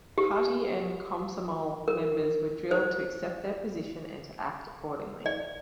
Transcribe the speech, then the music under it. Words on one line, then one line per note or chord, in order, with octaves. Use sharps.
Party and Komsomol members were drilled to accept that position, and to act accordingly.
G4
A#4
C5
D5